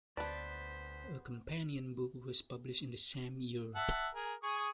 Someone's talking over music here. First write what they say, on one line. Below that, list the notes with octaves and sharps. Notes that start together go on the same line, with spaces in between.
A companion book was published in the same year.
D2 B3 B4 C5 D5 A5 B6
E5 F#5 A5
G#4 A#4
G#4 C#6 D#6